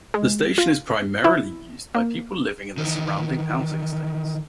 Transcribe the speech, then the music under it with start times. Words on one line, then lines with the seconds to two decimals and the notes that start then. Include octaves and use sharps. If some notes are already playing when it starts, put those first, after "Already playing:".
The station is primarily used by people living in the surrounding housing estates.
0.14 G#3
0.58 F4
1.24 E4
1.95 A#3
2.78 D#3 E3